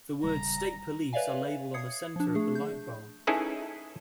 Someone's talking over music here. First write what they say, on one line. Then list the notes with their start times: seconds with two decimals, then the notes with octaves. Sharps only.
The words "State Police" are labelled on the center of the light bar.
0.24 D#1 C#3 G3 A#5
1.13 B4 C#5 D5 E5 F5 G#5
1.74 D#6 G#6 C7 C#7
2.16 F3 D4
2.35 A3 G#4
2.55 G6
3.27 C#4 D#4 E4 G#4 A4 B4